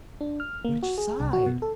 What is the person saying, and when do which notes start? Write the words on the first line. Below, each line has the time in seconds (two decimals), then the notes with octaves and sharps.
"Which side?"
0.21 D4
0.40 F6
0.65 A#3
0.83 F#4
0.98 G#4
1.20 C2
1.33 F#4
1.46 B2
1.62 A4